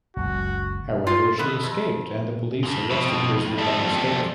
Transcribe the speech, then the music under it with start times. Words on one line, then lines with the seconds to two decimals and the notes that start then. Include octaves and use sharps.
However, she escaped and the police arrested Grizzly by mistake.
0.16 F#1 C#2 F#4
1.07 F4
1.38 D#3 B3 A4
1.63 F2
2.63 F2 G#2
2.90 B2
3.58 F2 G3 A4